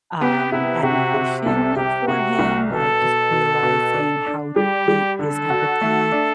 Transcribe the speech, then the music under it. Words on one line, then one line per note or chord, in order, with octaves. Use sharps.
um, admiration for him, like, just realizing how deep his empathy
B3 G4
C3 E4
C3 F#4
C3
C2 A4
C3 G4
C3 F#4
C2
B2 A4
B2
B2
B2
D4
D4
G3 G4
G3
D3 A4
F#4
A3
D4